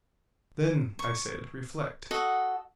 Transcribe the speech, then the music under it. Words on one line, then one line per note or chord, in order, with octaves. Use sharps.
Then, I said, reflect.
C#6
F#4 A4 D#5 F#5